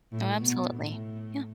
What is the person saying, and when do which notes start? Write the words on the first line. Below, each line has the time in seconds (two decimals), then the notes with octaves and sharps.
Oh, absolutely. Yeah.
0.12 A2
0.40 B2
0.70 A2